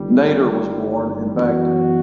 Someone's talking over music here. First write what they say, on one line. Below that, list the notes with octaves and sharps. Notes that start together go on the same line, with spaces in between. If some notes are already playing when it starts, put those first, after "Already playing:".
Nader was born in Baghdad.
Already playing: G1 G2 D#3 G3
F#2 E3 B3 F#4